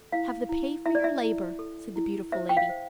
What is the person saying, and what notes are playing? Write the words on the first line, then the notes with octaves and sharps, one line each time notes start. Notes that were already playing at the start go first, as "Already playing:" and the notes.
"Have the pay for your labor?" said the beautiful lady.
Already playing: A4
E4 F5
E4
E4 E5
D5
E5
E4
A4
E4
C5 E5
G5
F5
C5